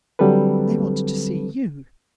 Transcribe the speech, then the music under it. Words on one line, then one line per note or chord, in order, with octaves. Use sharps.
"They want to see you."
D3 F#3 G3 C4 A4 B4